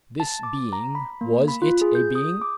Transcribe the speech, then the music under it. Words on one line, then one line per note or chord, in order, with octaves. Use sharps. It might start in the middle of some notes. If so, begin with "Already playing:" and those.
This being--was it a being?
A5
D6
A#5
B5
A#3
B5
F4
G#4
G6
D#6
D6